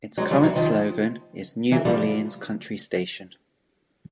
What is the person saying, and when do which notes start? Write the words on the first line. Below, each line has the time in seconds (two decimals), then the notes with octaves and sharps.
Its current slogan is New Orleans Country Station.
0.18 F#3 G#3
0.31 F3 G3
0.43 E3 F#3
0.56 D#3 F3
1.71 E3 F#3
1.85 F3 G3